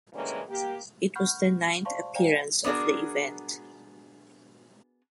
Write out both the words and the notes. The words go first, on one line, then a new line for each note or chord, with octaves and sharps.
It was the ninth appearance of the event.
D3 E3 G3 G#3 A#3 C#4
A#3 G4
F#5 B5 C#6 F6 G6
C5 D5 F5 A5 C6 C#6
C5 D5 F5 G5 G#5 A#5
B3 D4 F#4 G#4 A#4